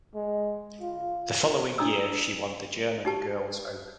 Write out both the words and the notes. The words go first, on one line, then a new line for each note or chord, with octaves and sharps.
The following year she won the German Girls Open.
G#3
F4
D4 D#4 A#5 D#6 E6
D#4 G4 A5